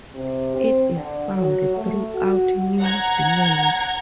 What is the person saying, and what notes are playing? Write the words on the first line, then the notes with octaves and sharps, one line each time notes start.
It is found throughout New Zealand.
C3
C4
D3
F#3
A3
F#4
F#5 A#5 G#6